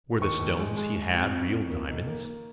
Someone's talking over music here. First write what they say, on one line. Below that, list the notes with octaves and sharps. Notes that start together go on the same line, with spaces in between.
Were the stones he had real diamonds?
D#2 C#6
D#2
G#3
G#3
G#3
F2
F2
F2
A#3
B1
A#3
A#3